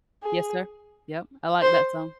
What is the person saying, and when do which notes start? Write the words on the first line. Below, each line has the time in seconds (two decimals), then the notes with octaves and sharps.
Yes, sir, yep, I like that song.
0.24 G#4
1.62 C5